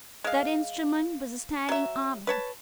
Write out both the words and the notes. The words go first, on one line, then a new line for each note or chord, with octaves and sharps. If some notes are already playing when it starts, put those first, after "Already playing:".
That instrument was a standing army.
G#3 F5
F#3 E5
B4 C#5 A5